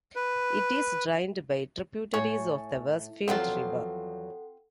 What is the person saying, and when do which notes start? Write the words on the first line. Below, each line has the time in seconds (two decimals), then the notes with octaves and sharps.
It is drained by tributaries of the Westfield River.
0.16 B4
2.14 A2 C#5 G#5 C#6
3.28 E2 F3 F#3 C4 F4 A4 F#5